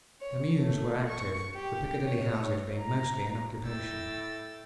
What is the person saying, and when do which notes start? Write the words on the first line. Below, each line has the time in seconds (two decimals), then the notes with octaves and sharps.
The mews were active, the Piccadilly houses being mostly in occupation.
0.20 C#5
0.57 A3
1.09 C#6
1.55 G4
2.04 C#5
2.77 A#5
3.64 A2 A3 G5 E6 A6